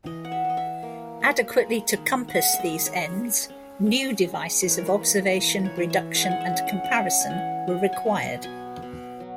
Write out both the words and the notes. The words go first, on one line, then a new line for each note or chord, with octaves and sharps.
Adequately to compass these ends, new devices of observation, reduction, and comparison were required.
E3 D#5
F#5
E5
E3
D#5
E5
A#3
A#3
G#3
D#3
F#5
G#3 E5
E5
D#5
D#3
C#5
C#4
C#4
C#4
G#3
E3 C#5
B4
A#4
B4
A#3
E3
B4
C#5
E3
E5
G#3 F#5
G#5
F#5
E5
C#4
F#5
F#5
C#4 E5
G#5
E3 F#5
F#3 F#5
G#5
B2
B5
B2 G#5
B2
F#3